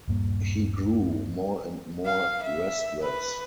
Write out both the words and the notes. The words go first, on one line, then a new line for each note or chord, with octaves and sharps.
He grew more and more restless.
D#1 G2 A#3
F5
E5
B4